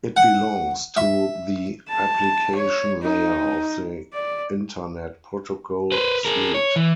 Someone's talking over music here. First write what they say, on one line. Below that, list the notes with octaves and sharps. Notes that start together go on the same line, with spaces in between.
It belongs to the application layer of the Internet protocol suite.
F#5
E5
A5
C#5
D#4
D5
B4 C5
G#4 A#4
C#5
E3